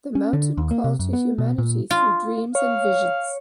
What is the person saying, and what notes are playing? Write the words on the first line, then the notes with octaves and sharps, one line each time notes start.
The mountain called to humanity through dreams and visions.
C#4
D3
D#2
A#3
C3
F#2
B3
B2
A#2
F4
C#5 F5